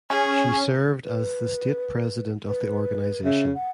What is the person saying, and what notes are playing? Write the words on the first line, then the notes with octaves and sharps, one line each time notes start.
She served as the state president of the organization.
C#4 G#4
B4
B4
C#3 E5
F#5